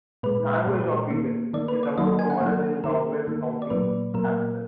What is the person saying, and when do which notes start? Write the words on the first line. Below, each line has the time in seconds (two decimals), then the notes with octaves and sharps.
"Language of Evil" is about a murder in Douglas County, Kansas.
0.23 A#2 G#3 B4
0.67 A#2 G#3
1.11 D#3 A#3
1.53 D#3 A#3 D5
1.68 B4
1.83 D5
1.98 D#3 F#3 A#3 D#5
2.19 G#5
2.30 F#5
2.41 D#3 F#3 A#3
2.84 D#3 A#3 A#4
3.28 D#3 A#3
3.62 D5
3.70 A#2 F#3 A#3 B4
4.14 A#2 F#3 A#3 A#4